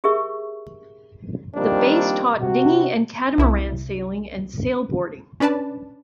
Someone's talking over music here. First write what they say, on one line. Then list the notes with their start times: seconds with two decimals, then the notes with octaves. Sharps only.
The base taught dinghy and catamaran sailing and sail-boarding.
0.04 G4 G#4 A#4 E5 C#6
1.56 D#3 F3 G3 A#3 C4 D4
2.41 C3 F#4
3.38 C2 E4
5.40 C#4 D4 B4 D5 A5